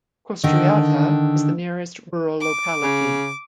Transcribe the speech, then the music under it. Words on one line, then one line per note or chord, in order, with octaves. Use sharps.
Kostryata is the nearest rural locality.
D3 D#3
D6
C#3